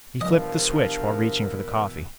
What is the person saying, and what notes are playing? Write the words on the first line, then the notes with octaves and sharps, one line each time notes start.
He flipped the switch while reaching for the coffee.
G2 B2 E3 F3 A#4 D#5